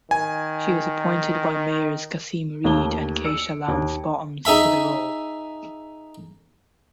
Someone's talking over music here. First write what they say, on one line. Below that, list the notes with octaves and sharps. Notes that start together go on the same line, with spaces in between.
She was appointed by Mayors Kasim Reed and Keisha Lance Bottoms to the role.
D#3 G#5
D#2 A3 A#3 A5 G7
E6 C#7 D7
D#2
D#4 G#4 E5 B5